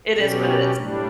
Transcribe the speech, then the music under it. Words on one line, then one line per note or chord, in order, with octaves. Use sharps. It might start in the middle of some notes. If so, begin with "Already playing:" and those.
It is what it is.
B2 F#3 C#4 G4
A2 G3 D4